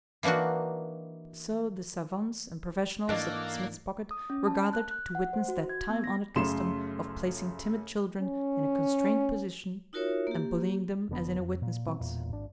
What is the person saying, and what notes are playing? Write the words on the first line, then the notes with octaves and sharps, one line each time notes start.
So the savants and professionals of Smith's Pocket were gathered to witness that time-honored custom of placing timid children in a constrained positions and bullying them as in a witness box.
E3 A#3 D4 D#4 F#4
G#2 E3 A#3 D4 F#4 A4 D5 D#5
D#6
C#4
A5
F#6
F#6
F#5
C5
F#4
G#6
B3
A#6
F#2 C#3 A3 A4 C6 E7
C#4
D#4 F4 F#4 A#4 C#5 E5
A#3 G4
F1 D3 B3
F2
A#2
A#2 D#3 F#3 C4
E1 E2 A#2
G#1 D4